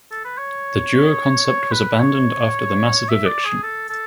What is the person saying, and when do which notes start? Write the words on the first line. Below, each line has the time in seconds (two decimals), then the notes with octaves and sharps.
The duo concept was abandoned after the massive eviction.
0.11 A4
0.24 B4
0.38 C#5
1.46 C#5
1.72 B4
2.00 C#5
3.09 E5
3.26 D5
3.45 G#4
3.63 A4
3.89 A4